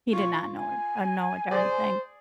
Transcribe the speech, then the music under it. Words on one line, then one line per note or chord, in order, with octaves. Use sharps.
He did not know, uh, know a darn thing.
F4 C#6
G#5
G#4 C5 D5